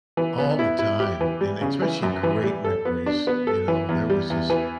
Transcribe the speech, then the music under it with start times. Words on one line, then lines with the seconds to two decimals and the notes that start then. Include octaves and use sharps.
All the time, and especially great memories, you know? There was this,
0.17 E3
0.38 B3
0.59 E4
0.79 E4
1.00 G4
1.21 E3
1.41 G3
1.61 C#3
1.82 E3
2.03 F#2
2.23 E3
2.43 G3
2.65 A4
2.85 B3
3.06 D4
3.27 B3
3.47 A4
3.68 E3
3.89 E2
4.10 G3
4.30 E2
4.50 E3